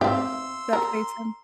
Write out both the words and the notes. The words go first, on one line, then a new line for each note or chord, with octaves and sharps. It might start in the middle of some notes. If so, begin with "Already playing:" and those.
that plays him?
C4 G4 F5 C6 E6
A#4 A#5